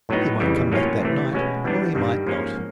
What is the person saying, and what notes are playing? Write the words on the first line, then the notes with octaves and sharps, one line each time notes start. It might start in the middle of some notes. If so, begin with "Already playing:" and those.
He might come back that night or he might not.
A2 F#3 B3 D#4
F2 C#3 E3 G3
A2 F#3 A#3 C#4 F4
C3 E3 A3
B2 G#3 C#4 F#4
E3 G3 B3 D4
G2 D#3 G3
G#2 F3 A#3 C#4